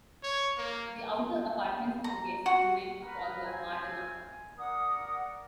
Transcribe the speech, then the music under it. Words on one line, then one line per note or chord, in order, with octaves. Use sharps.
The outer apartments for guests and men are called the "Mardana".
C#5
A#3
A#5
F#4
A#4 B4 A#5
C4 G#5
A#4 D5 F#5 D#6